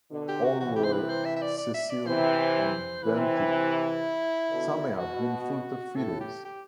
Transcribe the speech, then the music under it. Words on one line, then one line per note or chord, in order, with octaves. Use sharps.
All were sessile and benthic; some may have been filter feeders.
B2 D3
G4
F#4
C3 E3 F#4
G4
C5
B4
C5
E5
E5
D5
D5
E5
D5
C3 E3 C5
C3 E3 B4
C4
E4
E4
B2 D3
B2 F#4
A2 A4
G4
G4